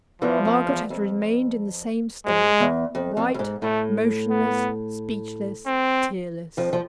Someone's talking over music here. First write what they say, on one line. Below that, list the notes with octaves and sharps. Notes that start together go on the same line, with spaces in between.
Margaret had remained in the same state; white, motionless, speechless, tearless.
E2 E3 F3
F2
E2
F2
G#2 G#3
E2
F2
F2
F2
G#2
A2 A3
B3
C4
F2 F3
F3